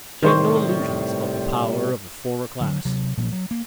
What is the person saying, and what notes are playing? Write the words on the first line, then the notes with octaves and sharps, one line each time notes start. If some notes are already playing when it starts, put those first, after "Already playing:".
She had no illusions about the power of the former class.
A2 C3 D#3 G3 C5 C#6
D3 F#3
C3 F#3
A#2 F3 F#3
F#3
A#3